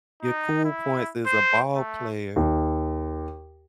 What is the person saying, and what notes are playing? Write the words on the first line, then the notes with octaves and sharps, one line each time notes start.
your cool points as a ball player
D#4
E4
C5
A3
D#2